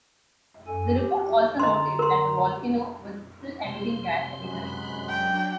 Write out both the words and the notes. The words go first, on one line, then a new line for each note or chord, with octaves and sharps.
The report also noted that the volcano was still emitting gas at the time.
F#2 A4 G#5
G4
D3 D#5 A#5 C6
A#4 C6
C3 C6 G6
F#2 G#3 B5 F#6
F#3 D4 G5